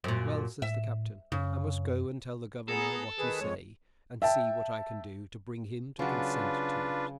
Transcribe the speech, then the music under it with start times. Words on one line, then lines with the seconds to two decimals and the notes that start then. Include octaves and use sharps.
"Well," says the captain, "I must go and tell the governor what you say, and see what I can do to bring him to consent to it."
0.04 F#2 A#2
0.62 A2 E5
1.32 F#2 C#3
2.69 B3 G#4 A4 A#5
3.19 D#3 G#4 B4
3.40 F2 G#3 C#5
4.22 E5 G5 A5
5.99 C#3 F#3 D4 F4 B4